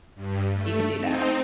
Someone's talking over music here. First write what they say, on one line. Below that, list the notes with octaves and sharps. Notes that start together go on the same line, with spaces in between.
you can do that.
G2
A3
C4 D#4